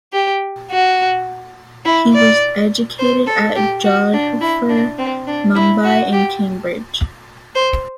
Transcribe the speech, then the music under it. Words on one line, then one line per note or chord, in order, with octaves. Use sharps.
He was educated at Jodhpur, Mumbai and Cambridge.
G4
F#4
E4
D5
C5
A4
G4
F#4
D4
E4
D4
C4
D4
E4
F#4
G4
C5